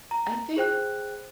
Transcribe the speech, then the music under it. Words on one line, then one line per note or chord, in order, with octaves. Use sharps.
I think
A#5
G#4 C5 G5 F#6